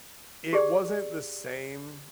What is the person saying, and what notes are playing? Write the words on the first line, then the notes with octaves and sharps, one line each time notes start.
it wasn't the same,
G4 G#4 D5